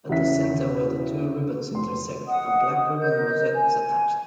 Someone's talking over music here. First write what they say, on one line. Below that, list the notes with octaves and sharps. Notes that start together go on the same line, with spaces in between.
At the centre where the two ribbons intersect a black ribbon rosette is attached.
E2 C#3 E5 B6
F1 C6
D#5 F#5 D#6
A#4 D#5 G6
G#5